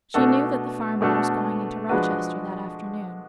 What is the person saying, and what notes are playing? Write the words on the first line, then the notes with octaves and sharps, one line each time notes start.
She knew that the farmer was going into Rochester that afternoon.
B2 A3 D4 F#4 A4
B2 A3 D4 F#4 A4
F3 G#3 D4 F#4 B4